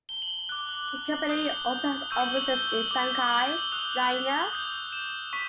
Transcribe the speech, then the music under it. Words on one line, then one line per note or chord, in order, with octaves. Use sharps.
The company also has offices in Shanghai, China.
G7
F#7
F#7
D6 F#6 G7
F#7
F#7
D#6 G6 G7
C#6 E6 G6 G7
F#7
F#7
G7
G7
D6 G6 G7
F#7
G7
F#7
D#6 F#6 F7
D#6 G6
E7
C#6 B6